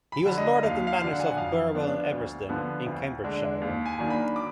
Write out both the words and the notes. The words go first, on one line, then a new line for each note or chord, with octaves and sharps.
He was Lord of the Manors of Burwell and Eversden, in Cambridgeshire.
B5
D3 F#3 D4
D#5
D#2 F5
F5
D3 F#3 D4
F#5
G#5
F#5
F2 F5
F3 B3 D4
D2
D3 F3 B3
D2
D3 G#3 D4
D#2
G#5
D#3 F#3 A#3 D4
B5
D6